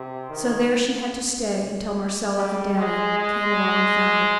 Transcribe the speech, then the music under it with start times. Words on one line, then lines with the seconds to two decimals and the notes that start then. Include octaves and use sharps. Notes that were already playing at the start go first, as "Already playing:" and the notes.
So there she had to stay until Marcella and Daddy came along and found her.
Already playing: C3
0.30 D#3
2.36 G3
2.77 G#3
3.19 G#3